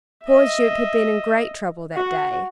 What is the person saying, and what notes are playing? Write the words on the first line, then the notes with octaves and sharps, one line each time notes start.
Poor Jupe had been in great trouble that day.
D#5 E5
F#4 F#5